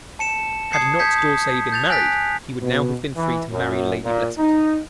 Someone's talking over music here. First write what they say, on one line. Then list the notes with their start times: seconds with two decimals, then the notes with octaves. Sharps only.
Had not D'Orsay been married he would now have been free to marry Lady Blessington.
0.19 A5 C#7 E7
0.73 A5 D#6 G#6 C7 C#7
0.99 A5 D#6 G6 G#6 B6 C#7
1.18 D#6
1.72 G6 A6 F7
1.90 G#5 F#6 A6 B6
2.61 B2
3.16 E3
3.52 F#2
4.03 A#2
4.38 D#4